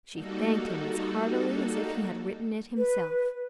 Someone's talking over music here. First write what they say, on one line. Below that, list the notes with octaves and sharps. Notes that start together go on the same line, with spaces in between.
She thanked him as heartily as if he had written it himself.
G3 A#3 D#4 F#4 A4
B4